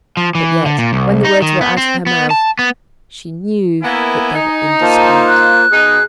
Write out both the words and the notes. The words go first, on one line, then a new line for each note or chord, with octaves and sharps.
But yet, when the words were out of her mouth, she knew that they were indiscreet.
F3
E3
D3
A#2
C2
D#4
D#3
B3
C4
B3
A5
B3
A#3 B3 E4 G#5
D#4
A#3 F4 C5 A5
F#6
B2 D#4 G#4